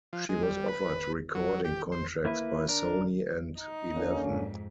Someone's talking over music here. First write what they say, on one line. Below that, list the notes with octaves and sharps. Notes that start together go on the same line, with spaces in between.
She was offered recording contracts by Sony and Eleven.
F3
G#3
G3
B4
F#3
G4
C5
A#3 E4 B4
D4 A#4
D#4
D3 A#3 C#4
F2 G#2